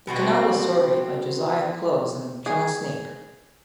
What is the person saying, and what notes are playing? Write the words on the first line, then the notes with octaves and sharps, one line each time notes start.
The canal was surveyed by Josiah Clowes and John Snape.
B2 C4 F#4
G#4